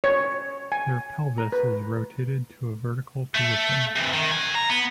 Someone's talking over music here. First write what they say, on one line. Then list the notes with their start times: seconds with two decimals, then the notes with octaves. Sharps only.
Their pelvis is rotated to a vertical position.
0.04 C#5
0.72 G#5
1.38 A#5
1.52 B4
3.35 A3
3.96 C3 E3
4.14 D#3
4.32 F#4 G#5
4.55 A#5
4.70 B3